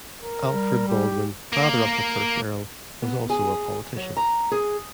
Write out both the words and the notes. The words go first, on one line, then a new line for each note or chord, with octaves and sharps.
Alfred Baldwin, father of the first Earl, was also a politician.
A#4
G3
G4
A#3
B3
G#4
F#3
A#5
G#4